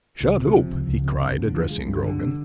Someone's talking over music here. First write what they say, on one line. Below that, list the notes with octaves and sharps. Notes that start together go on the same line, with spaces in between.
"Shut oop!" he cried, addressing Grogan.
C#2
C3
F3
C#2
C#2
C3
G2
D3
F3
G#3
G2
D3